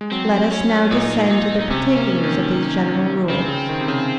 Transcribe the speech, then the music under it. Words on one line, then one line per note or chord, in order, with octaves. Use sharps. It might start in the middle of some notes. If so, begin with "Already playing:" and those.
Let us now descend to the particulars of these general rules.
G#3
F#3 C4
C#4
A#2 D#4
A#2 D#4
D#4
C3 C#4
A#3
D#3
C#3 C4
C#3
D#3
C3
C#3